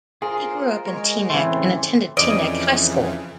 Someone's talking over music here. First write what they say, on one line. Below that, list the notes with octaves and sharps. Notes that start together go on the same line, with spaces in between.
He grew up in Teaneck, and attended Teaneck High School.
F4 G#4 A#4 C5
G#3 A#4 C#5 G#5
A2 C#3 E3 A3 C4 C6
F2 C#3 E3 D5 D#5